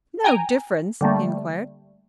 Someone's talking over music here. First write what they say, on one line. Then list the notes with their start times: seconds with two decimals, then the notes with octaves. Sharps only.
"No difference?" he inquired.
0.24 G5 G#5 A#5
1.01 D3 G3 A3 A#3